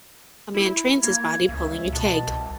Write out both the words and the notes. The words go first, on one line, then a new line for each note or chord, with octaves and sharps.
A man trains his body pulling a keg.
E4 B5
A#3 G#6
C#2 E5
B2 A5
C2